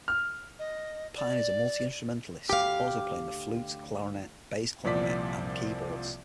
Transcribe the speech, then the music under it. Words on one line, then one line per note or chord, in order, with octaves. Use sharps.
Pine is a multi-instrumentalist, also playing the flute, clarinet, bass clarinet and keyboards.
F6
D#5
D5
D2 G4 F5
C2 A#2 F3 D5 B6